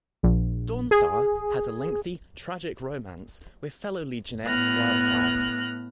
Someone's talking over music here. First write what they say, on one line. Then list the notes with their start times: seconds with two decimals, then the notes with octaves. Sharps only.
Dawnstar had a lengthy, tragic romance with fellow Legionnaire Wildfire.
0.23 A#1
0.91 G#4
4.46 A2 B3 F6 F#6 A#6